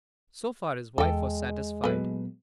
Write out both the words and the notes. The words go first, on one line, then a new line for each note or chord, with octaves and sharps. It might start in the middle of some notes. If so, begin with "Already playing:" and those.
So far his wife was satisfied.
E2 G#3 A4 G5
A#2 F#3 B3 A4 B4